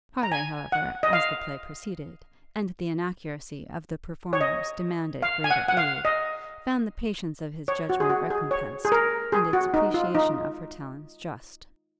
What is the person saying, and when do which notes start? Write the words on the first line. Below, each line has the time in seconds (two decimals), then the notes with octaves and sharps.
Harleigh, however, as the play proceeded, and the inaccuracy of the performers demanded greater aid, found the patience of his judgment recompensed, and its appreciation of her talents just.
0.23 A#5
0.32 G#5
0.72 F#5
1.03 D#5
1.13 F5
4.33 C#5
4.41 D#5
5.22 F5
5.44 G#5
5.50 F#5
5.68 F#5
5.77 F5
6.05 D#5
7.68 C#5
7.90 F#4
8.00 G#4
8.10 F#4
8.30 G#4
8.51 C#5
8.85 G#4
8.92 A#4
9.32 G#4
9.53 F#4
9.74 D#4
9.94 F4
10.15 D#4